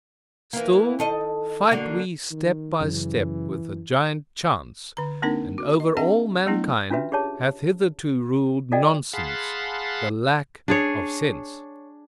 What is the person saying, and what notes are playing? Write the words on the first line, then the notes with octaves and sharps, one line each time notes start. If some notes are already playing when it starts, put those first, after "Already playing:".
Still fight we step by step with the giant Chance, and over all mankind hath hitherto ruled nonsense, the lack-of-sense.
E3 A#3
D#3 A4 D#5
D3 A#3 F#4
D#3
F#2 C#3 E3
D3 A#5
A#3 C4 D4 D#4 A#4
F#4
D#5
C4 D4 G#4 D#5 E5 F#5
F#3 A3 B3 D4 E4
C#4 D4 F4 F#4 B4 E5
G4 G#4 C#5 A5
F4 A4 D5 D#5 F#5 G5
G#4 F5 F#5 A5 B5 C6
D4 G#4 C#5